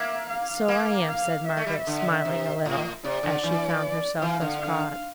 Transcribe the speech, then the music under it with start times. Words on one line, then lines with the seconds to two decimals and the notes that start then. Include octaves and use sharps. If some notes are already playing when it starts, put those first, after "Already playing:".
'So I am,' said Margaret, smiling a little, as she found herself thus caught.
Already playing: A#3 E5
0.30 F5
0.68 A#3
1.08 F5
1.47 E5
1.57 A3
1.67 G3
1.87 D3
2.25 C3
2.65 A2
3.04 C3 D5
3.23 D3
3.43 E3
4.21 E3 F5
4.41 D3
4.61 F5